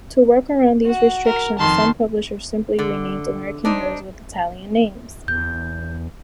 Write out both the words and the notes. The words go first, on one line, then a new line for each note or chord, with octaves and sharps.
To work around these restrictions, some publishers simply renamed American heroes with Italian names.
F#4
A#4
F2 D#3 A5 C6
D3
D4 D#4 C5
E2 G6